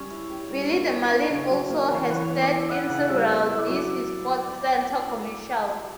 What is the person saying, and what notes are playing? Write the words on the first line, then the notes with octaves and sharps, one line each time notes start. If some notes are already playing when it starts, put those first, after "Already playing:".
Billy the Marlin also has starred in several This is SportsCenter commercials.
Already playing: G3 C#4 C#5
E4
G4
G3
A#3
E4
C#4
C#3
F#3
A#3
E3 C#5
E3 B4
C#5
B3
D5
E4
E4 F#5
C#3 F#5
G3 E5
F#5
B3 E5
E4 E5
D5
F#3 C#5
D5